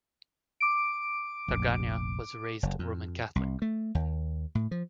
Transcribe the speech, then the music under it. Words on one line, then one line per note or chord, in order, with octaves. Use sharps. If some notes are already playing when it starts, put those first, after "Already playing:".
Draganja was raised Roman Catholic.
D6 D7
F1 A#1
F#1
F2
C2
A3
D#2
A2
F3